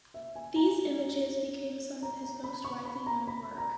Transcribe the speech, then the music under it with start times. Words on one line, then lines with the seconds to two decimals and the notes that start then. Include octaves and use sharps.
These images became some of his most widely known work.
0.14 E5
0.36 G#5
0.56 A#5
2.03 A#5
2.23 A#5
2.44 B5
2.64 C#6
2.85 B5
3.07 A#5
3.28 B5
3.58 A#5